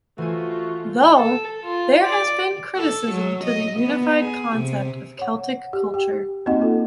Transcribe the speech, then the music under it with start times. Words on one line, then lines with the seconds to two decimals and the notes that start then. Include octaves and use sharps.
Though, there has been criticism to the unified concept of Celtic culture.
0.18 E3 A3 F4 F#4 C5 G#5
1.17 A4
1.64 F4
2.04 D5
2.76 A4
3.12 F#3
3.44 D#5
3.80 B3
4.19 G#4
4.57 C3
5.19 C#5 F#5
5.73 G4
5.94 G4 G5
6.46 A#3 C4 D#4 F#4 D#5 F#5
6.60 A#3 F4 A4